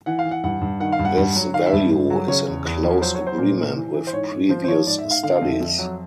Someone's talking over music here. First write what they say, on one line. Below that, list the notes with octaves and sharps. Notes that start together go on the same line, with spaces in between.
This value is in close agreement with previous studies.
E3 F#5
F5
E3
F#5
G2 F#5
G2
D#3 F#5
F5
G2
F#5
G2
F#3
D#3 F5
E5
G2
G2
F#3
C#3 C#5
E2
E2
F3
F#3 C5
C#5
F#3
C5
A#2
A#2
E3
E3
C5
G#2 C#5
G#2
F3 C5
C5
F3 C#5
G#2 D5
E5
G#2
F5
D3 F5
F5
F2
E5
F2
F#3